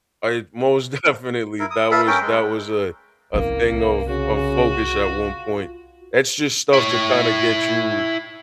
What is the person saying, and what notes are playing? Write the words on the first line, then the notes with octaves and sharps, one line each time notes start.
I Most definitely, that was that was, uh, a thing of of focus at one point. It's just stuff to kinda get you
E4 A#4
D#6
A4 B4 E5 F5
C#4 A#4 G5
G#3
C2 A#3 C#4
C#3 F#4
F4
E4 C#5